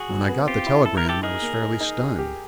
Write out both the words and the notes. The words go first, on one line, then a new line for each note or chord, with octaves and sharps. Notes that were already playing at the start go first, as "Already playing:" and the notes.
When I got the telegram I was fairly stunned.
Already playing: F#4 G#4
F#3
B3
C4 F4 G4
E4
E4 A4
A#4
E4 G4 A4
D#4 G#4 A#4
A#3
D#4
D#4
G4
G4